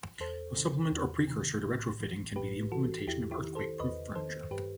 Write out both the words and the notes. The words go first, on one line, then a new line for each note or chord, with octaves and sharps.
A supplement or precursor to retrofitting can be the implementation of earthquake proof furniture.
E2 A4 C5
C3 D#3
E2
C3 D#3
A2
E3
A2 G4 B4
E3 F#4 A4
E2 E4 G4
E4 G4
D#3
A4 C5
E2 B4 D#5
D#3 A4 C5
G2 G4 B4